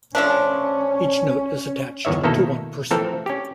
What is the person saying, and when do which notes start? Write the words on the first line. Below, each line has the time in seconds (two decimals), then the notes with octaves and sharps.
Each note is attached to one person.
0.15 F3 A3 C#4 D4
2.05 G1 E2 D#3 C#5 E5
2.24 B2 D#3 A#3 D#4 E4 A4
2.91 E3 F3 A3 C4 A4 A#4
3.26 C#4 G4